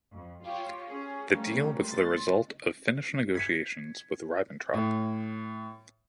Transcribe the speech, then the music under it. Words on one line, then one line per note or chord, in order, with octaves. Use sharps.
The deal was the result of Finnish negotiations with Ribbentrop.
F2
F4 G4 C#5
C#4 G#4
F3 G3 A3 A#3 C#4
C6 A6
G#6 B6 C#7
A2